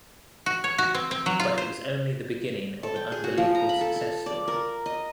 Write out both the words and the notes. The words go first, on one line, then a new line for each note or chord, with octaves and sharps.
But it was only the beginning of an unbelievable success story.
F#4
C#5
F#4
C4
C4
F#3
F4
C5
A4
G5
G#4
F#4
F3
A#5
B5
A4
A4
D5
A#4
D#5